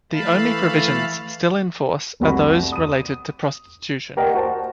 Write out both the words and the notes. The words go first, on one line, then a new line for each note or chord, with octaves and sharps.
The only provisions still in force are those related to prostitution.
E3 A3 F5 A5 B5
F1 C2 F#4 B5
D#6 D#7
G4 A#4 D5 D#5 F#5
F#4 C5 A5